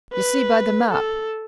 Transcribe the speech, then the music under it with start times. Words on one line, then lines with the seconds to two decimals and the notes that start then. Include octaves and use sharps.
You see by the map.
0.13 B4
0.91 A4